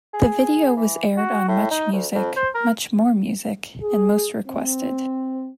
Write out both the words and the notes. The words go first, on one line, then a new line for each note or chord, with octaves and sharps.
The video was aired on MuchMusic, MuchMoreMusic and Most Requested.
G#4
E3
F#4
A2
D#4
D2
F2
C5
A#4
G#4
C4